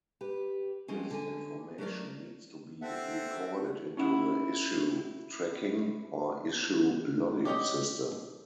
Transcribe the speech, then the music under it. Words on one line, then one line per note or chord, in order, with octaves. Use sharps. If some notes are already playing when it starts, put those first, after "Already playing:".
This information needs to be recorded into the issue tracking or issue logging system.
G4 B4
F3 G3 G#3 C4 C#4
D3 G#5
F#3 A3 A#4 D5
C4 A4 E5 F#5
C#4 D#4 E4 F#5
G4 C#5 D#5 G5